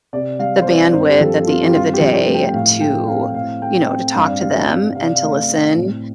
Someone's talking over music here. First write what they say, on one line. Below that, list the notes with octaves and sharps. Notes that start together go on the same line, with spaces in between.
the bandwidth at the end of the day to, you know, to talk to them and to listen.
C3 D5
G3 F5
C5
C4 D5
G2 C5
G4
F3 A4
C4 F4
G4
G2 F4
G4
F3
G4
A3
G5
A2 F5
A3 G5
C4 F5
A2 F5
A3 G5
C4 G5
G2 F5
D5
G3 F5
C4
C3 F5
D5
F5
A3
C4
A2